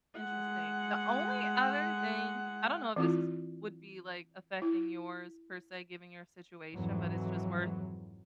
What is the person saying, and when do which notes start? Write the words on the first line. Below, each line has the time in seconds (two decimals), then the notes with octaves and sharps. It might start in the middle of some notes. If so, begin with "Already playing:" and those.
Interesting. The only other thing I don't know if this is would be, like, affecting yours, per se, given your situation, but it's just worth
0.17 G#3 F#5
2.96 E3 C4 E4 F4
4.62 E4
6.73 F2 G#2 E3 F#3